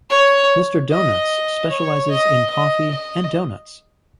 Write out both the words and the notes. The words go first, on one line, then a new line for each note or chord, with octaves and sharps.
Mister Donuts specializes in coffee and doughnuts.
C#5
D#5
C#5
D#5
D#5
D#5